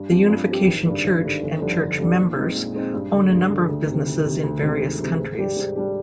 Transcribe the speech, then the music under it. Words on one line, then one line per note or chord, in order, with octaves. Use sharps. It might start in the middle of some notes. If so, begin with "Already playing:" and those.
The Unification Church and church members own a number of businesses in various countries.
Already playing: G2
F3 C4 G4
G2
F3 C4 G4
G#1
G2 D3 G3
G#1
G2 D3 G3
G1
F2 D3 G3 D4
G1
F2 D3 G3 D4
A#2
G#3 C4 D#4
A#2
G#3 C4 D#4
G2
D3 G#3
G2
D3 G#3
D2
C3 D#3
D2
C3 D#3
D2
C3 D#3 G#3
D2
C3 D#3 G#3
G#2
G3 D4 G4
G#2
G3 D4 G4